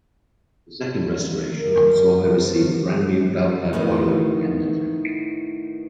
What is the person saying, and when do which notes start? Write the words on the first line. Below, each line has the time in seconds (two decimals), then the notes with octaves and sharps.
The second restoration saw her receive a brand new Belpaire Boiler and tender tank.
1.47 A#3
1.65 F#2
1.84 C#4
2.09 B4
2.42 C4
2.55 C#4
3.73 A2 D#3 B3 D#4